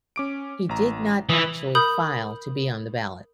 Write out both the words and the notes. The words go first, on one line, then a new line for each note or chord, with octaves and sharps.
He did not actually file to be on the ballot.
C#4 D6 D7
A1 A#5
E3 D#6
A#4 B5 D#6 G6